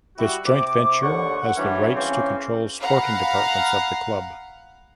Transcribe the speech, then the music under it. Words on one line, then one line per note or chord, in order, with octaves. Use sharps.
This joint venture has the rights to control sporting departments of the club.
G3 E4 F#4
C3 D6
D#2 D3 F#5 C#6
F#5
E3 F#3 G3 C#4 D4
C#3 E3 A#3 C4 C#4
F5 F#5 A#5 B5